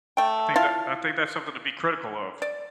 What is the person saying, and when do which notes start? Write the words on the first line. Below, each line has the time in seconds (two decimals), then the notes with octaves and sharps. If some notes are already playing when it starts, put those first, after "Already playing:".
I think that I think that's something to be critical of.
0.17 A3 G5
0.56 E4 F4 F5 A5
2.42 D5